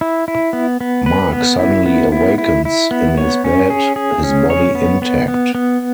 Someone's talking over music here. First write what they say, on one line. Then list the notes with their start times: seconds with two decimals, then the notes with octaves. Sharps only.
Mark suddenly awakens in his bed, his body intact.
0.01 E4
0.28 E4
0.53 B3
0.81 B3
1.06 B4
1.33 B3
1.59 E4
1.86 B3
2.12 E4
2.38 E4
2.65 E4
2.91 B3
3.18 C#5
3.44 C#4
3.70 G#4
3.96 G#4
4.24 C#4
4.50 C#5
4.75 B3
5.02 B3
5.28 B3
5.55 B3